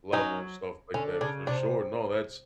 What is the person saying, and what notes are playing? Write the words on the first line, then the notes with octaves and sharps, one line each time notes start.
level and stuff like that, for sure. No, that's
F#3 C#4 D#4
D3 C#4
C#3 D4
C3 D4